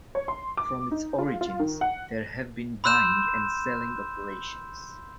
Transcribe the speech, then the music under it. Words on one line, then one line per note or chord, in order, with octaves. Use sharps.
From its origins, there have been buying and selling operations.
C#5
C6
D6
D#4
F4
F4
D#3
F#5
B5 C6 E6 F#6 G6 E7